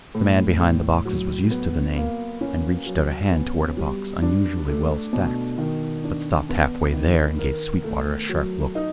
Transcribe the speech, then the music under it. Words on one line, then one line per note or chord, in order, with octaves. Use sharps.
The man behind the boxes was used to the name and reached out a hand toward a box unusually well stacked, but stopped half-way there and gave Sweetwater a sharp look.
A2
A2
F#3
B3
A#3
C#4
F#3
B3
G3
D4
A3
B2
D#3
D4
B3
D#3
A#4
A3
F#3
D#4